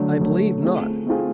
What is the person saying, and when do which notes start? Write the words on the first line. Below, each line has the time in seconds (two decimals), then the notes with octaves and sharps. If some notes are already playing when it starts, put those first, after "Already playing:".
"I believe not."
Already playing: D3 F#3 A3
0.19 D3 F#3 A3
0.63 A3 C4 F4 G#4
1.07 A3 C4 F4 G#4